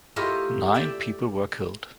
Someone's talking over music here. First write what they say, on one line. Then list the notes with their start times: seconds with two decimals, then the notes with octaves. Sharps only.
Nine people were killed.
0.16 A3 E4 F4 G4 A#4 D#5
0.74 D5 E5 G5